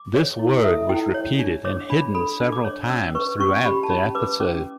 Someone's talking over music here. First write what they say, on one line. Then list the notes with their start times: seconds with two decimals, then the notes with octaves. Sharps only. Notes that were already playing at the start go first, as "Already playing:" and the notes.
This word was repeated and hidden several times throughout the episode.
Already playing: D6
0.14 C#5
0.39 E4
0.64 A4 E5
0.89 E4 G5
1.14 C#5
1.39 D4
1.65 C#5 D6
1.90 D4 B5
2.14 A4 B5
2.40 D4
2.52 D6
2.64 C#5
2.90 C#4 E6
3.15 B4 C#6
3.40 C#4 C#6
3.65 G4 B5
3.83 A5
3.90 C#4 B5
4.15 B4 D6
4.40 C#4 D6